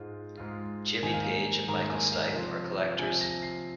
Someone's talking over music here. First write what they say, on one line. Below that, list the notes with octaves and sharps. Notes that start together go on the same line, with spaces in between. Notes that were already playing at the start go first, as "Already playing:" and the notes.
Jimmy Page and Michael Stipe are collectors.
Already playing: G#2 G#3 F4
G#2 G#3 F4
G#2 D#3 A#3 G#5
F5
G#5
G#2 D#3 A#3 A#5
G#5
F5
C3 F3 C4 F4
C3 F3 C4 F4 G#5
A#6
C7